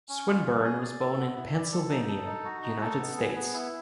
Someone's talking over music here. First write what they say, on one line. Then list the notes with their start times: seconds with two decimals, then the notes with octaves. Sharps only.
Swinburne was born in Pennsylvania, United States.
0.09 C#4
0.27 F4
0.45 C#4
0.63 G#4
0.82 D5
1.00 A4
1.18 B3
1.36 E4
1.54 D5
1.72 A4
1.91 D#4
2.08 A4
2.27 D#4
2.45 F#4
2.63 D#4
2.81 A4
2.99 B3
3.17 G#4
3.35 B3
3.53 E4